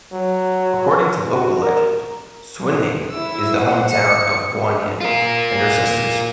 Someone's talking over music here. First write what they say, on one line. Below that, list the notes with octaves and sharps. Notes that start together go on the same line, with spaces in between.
According to local legend, Suining is the Hometown of Guanyin and her sisters.
F#3
F#4
A#4
E4 E6
C5 F#5
C#7
F4 A#4